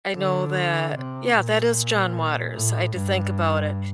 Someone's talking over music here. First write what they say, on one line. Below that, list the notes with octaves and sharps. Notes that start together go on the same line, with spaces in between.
I know that Yeah, that is John Waters. I had to think about it.
D3
C3
A#2
A2
G2